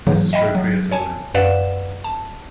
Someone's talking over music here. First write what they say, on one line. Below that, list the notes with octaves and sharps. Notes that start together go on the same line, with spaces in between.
This is true creativity.
G#2 C#3 E3 F#3 A#3
D#5 E5 G5 B5
F#3
C#5 G#5 A5
F#2 B4 D5 F5 F#5 E7
A5